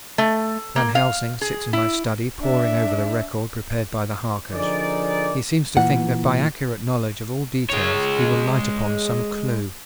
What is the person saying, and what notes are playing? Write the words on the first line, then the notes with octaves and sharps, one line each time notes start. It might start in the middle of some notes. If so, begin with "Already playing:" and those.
Van Helsing sits in my study poring over the record prepared by the Harkers; he seems to think that by accurate knowledge of all details he will light upon some clue.
A3
A#3
F5
G#4
E4
D4 E5
D3 F3 D#4 G#4 A#4 D5
A#2 E3 F#5
G#3 C#5